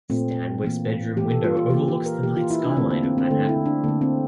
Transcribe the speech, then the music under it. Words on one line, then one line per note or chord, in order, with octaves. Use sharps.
Stanwyck's bedroom window overlooks the night skyline of Manhattan.
A#2 A3 C4
E3 A#3
E3 A#3 G4
A4
F4
F4
E3 A#3 G4
G4
A#4
E3 A#3 G4
F4
E4
D4
D3 A3 C4
A#3
C4
C4
D3 A3
E4
D4
D3 A3 A#3
C4